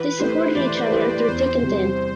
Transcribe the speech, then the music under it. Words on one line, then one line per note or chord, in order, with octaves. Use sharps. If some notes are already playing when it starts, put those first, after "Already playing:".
They supported each other through thick and thin.
Already playing: E3 B4
A3 E4 G4 C5
E3 D5
A3 E4 G4
E2 C5
C3 G3